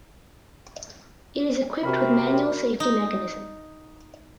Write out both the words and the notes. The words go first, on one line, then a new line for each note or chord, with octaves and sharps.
It is equipped with manual safety mechanism.
C3 F#4 A#4 B5
D#4